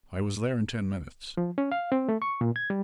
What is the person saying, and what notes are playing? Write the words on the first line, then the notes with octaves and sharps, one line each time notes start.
I was there in ten minutes.
F3
C#4
F5
C4
A3
C#6
A#2
G#6
G3